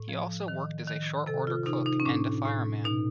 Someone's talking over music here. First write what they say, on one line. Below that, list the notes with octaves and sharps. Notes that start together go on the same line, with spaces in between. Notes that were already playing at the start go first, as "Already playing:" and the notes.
He also worked as a short-order cook and a fireman.
Already playing: A2
F3
D#3
D#3
C3 A4
F4
C3 D#4
D#4
C#4
A2 D4
A2
B2 D#4